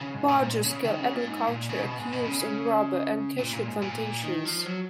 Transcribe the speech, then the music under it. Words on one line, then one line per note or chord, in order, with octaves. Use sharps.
Larger-scale agriculture occurs on rubber and cashew plantations.
C#3
G#2
A#2
A#2
C#3
D#3
C#3
A#2
G#2
A#2
C#3
B2
G#2
B2
C#3
C#3
A#2
A#2
G#2
A#2
D#3
F3
F#3